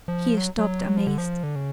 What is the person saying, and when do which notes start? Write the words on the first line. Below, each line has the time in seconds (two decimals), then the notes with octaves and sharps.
He stopped amazed.
0.08 F3
0.37 F#3
0.59 F#3
0.97 F3
1.07 D3
1.18 F3
1.43 D3
1.56 C#3